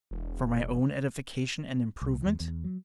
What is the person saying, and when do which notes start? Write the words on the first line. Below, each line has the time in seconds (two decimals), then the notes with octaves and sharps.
For my own edification and improvement?
0.11 E1
2.01 C2
2.26 E2
2.40 E2
2.64 F#3